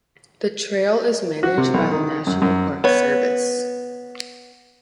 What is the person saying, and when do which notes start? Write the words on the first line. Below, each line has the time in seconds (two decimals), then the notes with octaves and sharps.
The trail is managed by the National Park Service.
1.43 F#4
1.58 C3
1.74 B1
1.91 D#3
2.27 F#2
2.42 F#2
2.84 B3 C#5